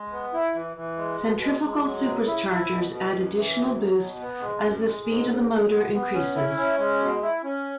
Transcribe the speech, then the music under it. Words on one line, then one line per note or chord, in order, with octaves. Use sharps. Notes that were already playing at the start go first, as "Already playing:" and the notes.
Centrifugal superchargers add additional boost as the speed of the motor increases.
Already playing: G#3
B3
E4
E3
E3
G#3
B2
G#3
G#3
F#3
C#3
E4
E4
B2
B2
F#2
E3
F#2
F#3
B2
B3
G#3
F#2
G#3
G#2
C#3
C#3
B3
B3
C#4
E4
C#4
G#3
B2
E4
C#4